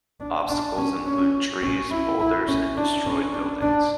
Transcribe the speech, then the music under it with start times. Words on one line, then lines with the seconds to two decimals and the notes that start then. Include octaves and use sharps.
Obstacles include trees, boulders and destroyed buildings.
0.20 D4
0.49 D4
0.77 C#4
1.06 C#4
1.62 C#4
1.91 E4
2.20 E4
2.48 C#4
2.77 D4
3.06 C#4
3.34 D4
3.61 D4